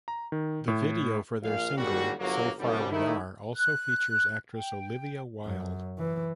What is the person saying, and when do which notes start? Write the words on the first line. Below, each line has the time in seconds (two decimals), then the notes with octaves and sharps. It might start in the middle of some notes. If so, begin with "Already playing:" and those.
Their video for their single "So Far We Are" also features actress Olivia Wilde.
0.08 A#5
0.32 D#3
0.68 A2
1.42 A#1 F5
1.76 G1 D#2 G3 G#3 A#3 F#4
2.18 G1 F#3 A#3
2.58 C2 F#2 D3 G3
2.91 G#2 D#3 A3 D#4 E4
3.54 F#6
4.54 G5
5.45 F#2
5.99 E3